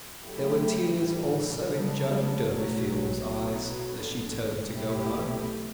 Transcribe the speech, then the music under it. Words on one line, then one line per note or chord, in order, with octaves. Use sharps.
There were tears also in Joan Durbeyfield's eyes as she turned to go home.
C#3 F#3 A3 E4 G4
A2 E3 G3
C#3 F#3 B3 D4
B1 A2 F#3
B2 F#3 B3
A1 G2 D3
B1 B2 A3 E4 G4